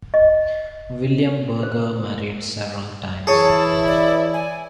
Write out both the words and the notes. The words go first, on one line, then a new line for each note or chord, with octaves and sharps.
William Berger married several times.
D#5
C5
E3 E4 G#4 C#5 A5
D5
G#5